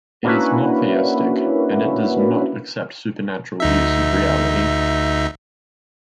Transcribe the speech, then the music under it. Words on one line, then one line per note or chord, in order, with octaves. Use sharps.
It is not theistic, and it does not accept supernatural views of reality.
A#3 C#4 D4 E4 F#4 B4
D2 D#4 E5